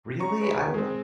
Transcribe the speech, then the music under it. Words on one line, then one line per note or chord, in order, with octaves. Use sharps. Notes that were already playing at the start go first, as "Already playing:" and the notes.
Really? I w
C#4 A#5 C#6
G#4 B4 C#5
G#3 C4